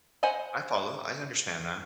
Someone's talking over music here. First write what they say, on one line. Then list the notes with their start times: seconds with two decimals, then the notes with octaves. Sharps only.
I follow. I understand that.
0.23 C5 D#5 F#5 G#5 B5